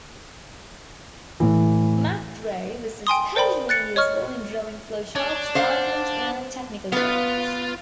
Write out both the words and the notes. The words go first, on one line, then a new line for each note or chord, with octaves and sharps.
MacDraw was especially useful in drawing flowcharts, diagrams and technical drawings.
A2 E3
G5 G#5 C6 D#6
A#4 C5 D5 G5 B5
F#6 A6 C#7
C#5 D#5 C#6 F6
D4 C#5
C5 F5 F#5
B3 F4 B4 F5